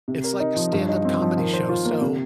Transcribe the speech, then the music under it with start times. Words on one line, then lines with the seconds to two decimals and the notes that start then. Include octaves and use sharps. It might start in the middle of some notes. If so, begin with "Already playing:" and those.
It's like a stand-up comedy show, so,
0.08 C3
0.24 A#4
0.40 D#4
0.57 F3
0.73 G2
0.89 D#4
1.05 C4
1.21 F3
1.37 D#3
1.54 C5
1.69 F4
1.85 A#3
2.01 C3